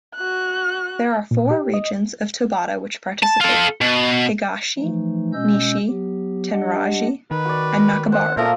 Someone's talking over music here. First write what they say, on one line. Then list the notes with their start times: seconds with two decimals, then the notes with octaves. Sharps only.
There are four regions of Tobata which participate: Higashi, Nishi, Tenraiji and Nakabaru.
0.16 F#4 F#6
1.31 A#2
1.51 G4
1.74 D#5
3.23 A5
3.41 F4 A4
3.81 B2
4.78 E3 F3 A3 D#4
5.33 B2 G#3 C#4 D#5 E6 G6
5.89 F#3 B3 G4
6.52 G3 D4 G4 D#5 F#5
7.31 D#3 B4
7.45 F#4 D5
8.12 C5 F#5
8.37 A#2 F3 A3 A#4